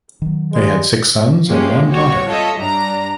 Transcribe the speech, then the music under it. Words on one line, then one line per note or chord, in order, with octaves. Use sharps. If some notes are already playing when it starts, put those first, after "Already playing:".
They had six sons and one daughter.
D#3 F#3
G3 G#3
F3 G#3 A#3 C#4 G4
C2 F#4 G4 C#5 C#6
F4 A4 C#5 D#5 E5
G2 G3 D4 A#5